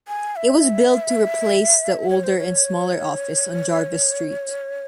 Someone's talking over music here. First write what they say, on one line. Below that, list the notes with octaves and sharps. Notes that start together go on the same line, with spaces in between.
It was built to replace the older and smaller office on Jarvis Street.
G#5
E5
C#5
C5
C#5